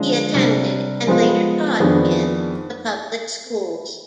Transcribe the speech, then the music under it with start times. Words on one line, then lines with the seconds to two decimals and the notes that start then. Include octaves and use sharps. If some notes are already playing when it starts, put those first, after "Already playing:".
He attended and later taught in the public schools.
Already playing: D3 F3 G#3 D4
0.34 C3 G3 D4
1.07 F3 G#3 B3 F4
1.80 F2 D#3 B3 D4 G#4